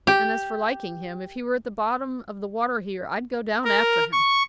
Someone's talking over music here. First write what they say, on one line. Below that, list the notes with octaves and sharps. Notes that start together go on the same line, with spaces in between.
And, as for liking him, if he were at the bottom of the water here, I'd go down after him.
G4
A#4
C#6